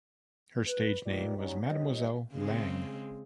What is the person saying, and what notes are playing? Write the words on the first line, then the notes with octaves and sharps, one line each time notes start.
Her stage name was Mademoiselle Lange.
B4
A#3 D#4 F4 G4 B4 D5
F#3 G3 C#4 D#4
C3 D#3 G3 C#5 D#5
C#3 G#3 C4